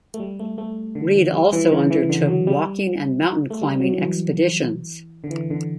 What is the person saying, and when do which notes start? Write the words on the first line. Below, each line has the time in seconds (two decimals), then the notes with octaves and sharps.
Reed also undertook walking and mountain-climbing expeditions.
0.14 A3
0.20 G3
0.40 A3
0.58 A3
0.95 D3
1.15 E3
1.34 G3
1.53 E3
1.72 C#3
1.90 E3
2.09 D3
2.28 F#3
2.47 G3
3.50 A3
3.61 G3
3.79 F#3
3.89 F#3
3.98 E3
5.24 D3
5.30 E3
5.50 D3